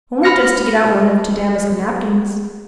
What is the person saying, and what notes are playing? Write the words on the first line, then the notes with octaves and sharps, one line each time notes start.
'Only just to get out one of t' damask napkins.'
B5 F6 A#6 C#7